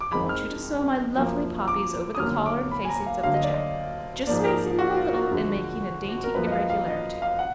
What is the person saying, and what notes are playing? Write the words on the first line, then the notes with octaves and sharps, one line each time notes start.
I want you to sew my lovely poppies over the collar and facings of the jacket, just spacing them a little and making a dainty irregularity.
D6
F2 D#3 G#3 B5
F6
F#2 F3 A#3
D6
D#6
D#2 D3 F#3 A#3 F6
D6
B5
G#5
A#5
F5
D2 D3 F#3 A#3 F5
D#5
D5
D#5
G#2 F3 A#3 D5
G#4
A#4
F#4
F4
F#4
D2 D3 F3 G#3
F#4
A#4
F#2 F3 A#3 B4
D#5
F5
F5
D#5
F5
F#5